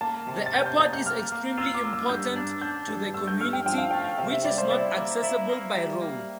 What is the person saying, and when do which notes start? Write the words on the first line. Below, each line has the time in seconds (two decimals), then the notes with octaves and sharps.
The airport is extremely important to the community, which is not accessible by road.
0.01 A#3 A5
0.27 C3
0.46 A6
0.53 C3 G6
0.66 G6
0.79 A#3 G6
0.93 G6
1.05 A#3 F6
1.32 A#3
1.58 F4 E6
1.75 D6
1.84 A#3
1.93 E6
2.09 G2 G6
2.36 D4
2.61 D4 G6
2.88 G2
3.14 A3 E6
3.27 G6
3.40 G2 F6
3.53 G5
3.66 F3 G5
3.78 F5
3.91 A3 G5
4.18 C3 F5
4.31 E5
4.44 G3 D5
4.58 C5
4.71 E4 D5
4.97 A#3
5.22 E4 E5
5.49 A#3
5.76 G3
6.02 A#3